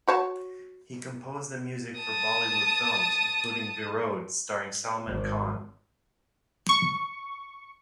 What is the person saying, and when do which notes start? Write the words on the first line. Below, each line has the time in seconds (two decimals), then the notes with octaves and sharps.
He composed the music for Bollywood films, including Virod, starring Salman Khan.
0.08 F#4 C#5 A5
2.00 A5 D#6
5.07 G#1
6.69 C#6